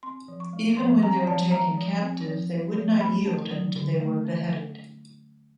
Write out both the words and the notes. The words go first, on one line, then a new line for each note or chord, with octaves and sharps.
Even when they were taken captive, they would not yield and they were beheaded.
C4 C6
F3
C#6
G#3
F3 C6
C4 A#5
F3 A5
G#3 A#5
F3
C4
F3
G#3
F3
A3 B5
C#4
F#3
D3
A3
C#4